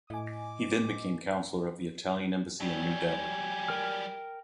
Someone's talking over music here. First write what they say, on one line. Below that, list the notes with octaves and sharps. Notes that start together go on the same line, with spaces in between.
He then became Counsellor of the Italian Embassy in New Delhi.
A2 E4 D#5 G#5 D6
F#3 G3 G#5
A#4 G5 F6